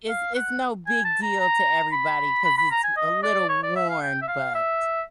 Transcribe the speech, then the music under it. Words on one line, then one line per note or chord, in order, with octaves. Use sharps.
It's it's no big deal to everybody 'cause it's a little worn, but,
F5
F#5
G#5
A5
A#5
A#5
B5
B5
B5
A#5
G#5
D#5
D5
C#5
D5
E5
F5
G5
E5
F5
E5